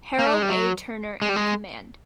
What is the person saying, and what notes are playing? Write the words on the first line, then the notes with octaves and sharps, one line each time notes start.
Harold A. Turner in command.
A#3
A3
G#3
G3
F#3
G#3
G3
G#3